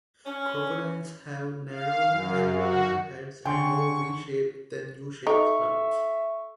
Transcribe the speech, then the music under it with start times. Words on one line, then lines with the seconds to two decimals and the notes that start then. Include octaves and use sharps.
Crocodiles have narrower and longer heads, and more V-shaped than U-shaped snouts.
0.26 C#4
1.67 F5
2.09 F#2
2.55 F#4
3.45 D3 C#5 G5 G#5 C6 C#6
5.27 D#4 A4 E5 C#6